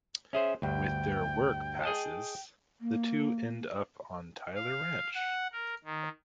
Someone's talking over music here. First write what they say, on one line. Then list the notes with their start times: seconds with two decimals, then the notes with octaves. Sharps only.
With their work passes, the two end up on Tyler Ranch.
0.33 C#4 G#4 C5 E5
0.62 D2 G2 G5
1.83 G#4 D#5 A5
2.80 A#3
4.55 F5
5.14 F#5
5.53 A#4
5.84 D#3